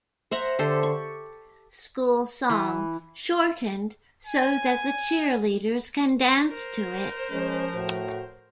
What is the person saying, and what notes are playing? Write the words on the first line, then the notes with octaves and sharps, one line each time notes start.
School Song, shortened so that the cheerleaders can dance to it.
C5 E5 F#5 A#5
D3 G4 A4 C5
C#6
E3
G#5
A#4 C5
F3 G#3 C#4 G#4
A2 F#4